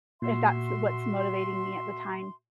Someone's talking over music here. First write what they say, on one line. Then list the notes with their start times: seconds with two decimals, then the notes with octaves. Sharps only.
if that's what's motivating me at the time.
0.22 A#2 F#4 E5 C6